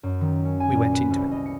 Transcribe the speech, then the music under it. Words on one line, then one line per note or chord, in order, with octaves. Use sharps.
We went into it.
F#2
D#3
C#4
G#5
A#2
B4
C2
D#5
C#7